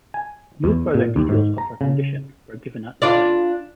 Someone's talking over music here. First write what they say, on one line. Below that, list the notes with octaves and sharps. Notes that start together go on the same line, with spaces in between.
No further details of her condition were given at the time.
G#5
E2
A#2
D#2
G#2
A#5
C#3
D4 F4 D5